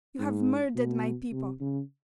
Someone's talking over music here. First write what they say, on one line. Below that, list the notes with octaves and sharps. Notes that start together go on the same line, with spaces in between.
You have murdered my people!
G#2
B2
C3
C#3